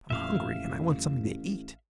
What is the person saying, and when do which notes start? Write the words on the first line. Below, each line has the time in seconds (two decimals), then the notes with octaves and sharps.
"I'm hungry, and I want something to eat!"
0.10 A1 F2 A#2 E5 F5